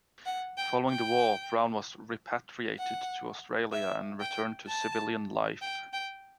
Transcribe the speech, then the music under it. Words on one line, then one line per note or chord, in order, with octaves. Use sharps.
Following the war, Brown was repatriated to Australia and returned to civilian life.
F#5
G5
G5
F#5
E5
G5
A5
G5
G5